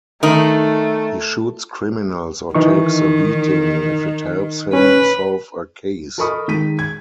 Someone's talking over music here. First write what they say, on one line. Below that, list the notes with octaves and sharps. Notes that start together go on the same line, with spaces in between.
He shoots criminals or takes a beating if it helps him solve a case.
D#3 A3 D#4
D#3 E3 D#4 C#6
C#4 B4
A4 A#4 D#5 B5 C#6 D#6
D#3 G#3 B6 D#7
G#6